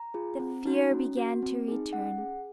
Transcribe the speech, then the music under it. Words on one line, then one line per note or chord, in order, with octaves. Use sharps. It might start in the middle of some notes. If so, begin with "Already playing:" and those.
The fear began to return.
Already playing: A#5
F4 G#4
C4
D#4 F#4
C#4
F#4
C4
D#4 G#4
C#4 F#5
G#4